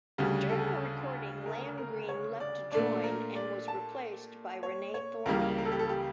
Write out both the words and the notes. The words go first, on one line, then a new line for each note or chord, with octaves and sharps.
During the recording Landgreen left to join and was replaced by Rene Thorny.
D2 C#3 G3 G4
A4
A#4
A#4
C#5
D5
A#2 A3 D4 D5
A#4
D5
A5
C#5
C#5
C#2 C#3 E3 G3 A#3 A#4
A#4
A4
G4
A4
G4